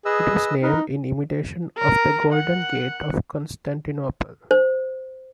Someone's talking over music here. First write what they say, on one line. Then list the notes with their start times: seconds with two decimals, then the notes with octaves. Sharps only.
It was named in imitation of the Golden Gate of Constantinople.
0.05 G#4 B4 D#5 E6
0.63 D#4 A#4 B4
1.78 A#4
2.33 F#5
4.51 C5